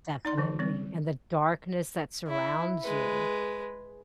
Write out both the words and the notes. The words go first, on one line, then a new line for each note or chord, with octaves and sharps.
Definitely. And the darkness that surrounds you.
D#4 D5 C6
D3 E3 F#3
G3 C4
E4
G#3 B4